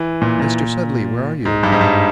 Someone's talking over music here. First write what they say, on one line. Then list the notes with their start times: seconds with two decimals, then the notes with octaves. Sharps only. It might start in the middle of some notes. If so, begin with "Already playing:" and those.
"Mr. Sudley, where are you?"
Already playing: E3
0.22 A#2
0.40 A#2
1.45 G#2
1.63 G2
1.72 G#2
1.81 G2